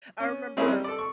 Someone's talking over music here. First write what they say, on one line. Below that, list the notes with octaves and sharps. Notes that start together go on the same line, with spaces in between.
I remember
C#4
G#3 C4 C#4 E4 G#4 A#4
G3
A4 D5
C#6